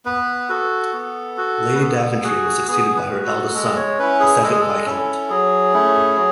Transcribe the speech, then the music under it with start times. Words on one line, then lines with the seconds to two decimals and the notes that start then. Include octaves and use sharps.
Lady Daventry was succeeded by her eldest son, the second Viscount.
0.05 B3 B4
0.49 F#4 A4
0.93 B3
1.37 F#4
1.75 B4
1.81 B3 A4
2.24 F#4 G#4
2.68 B3 G#4
2.96 B4
3.11 F#4
3.26 A4
3.54 G#3 A4
3.76 C#5
3.99 C#4 E4 B4
4.20 G#4
4.43 G#3 A4
4.52 G#4
4.61 A4
4.86 C#4 E4 A4
5.30 F#3 G#4
5.74 A3 C#4 E4
6.17 F#3